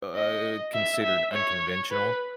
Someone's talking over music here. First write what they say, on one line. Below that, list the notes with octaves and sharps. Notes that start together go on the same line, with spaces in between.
uh, considered unconventional.
D#5
E5
E5
C#5
B4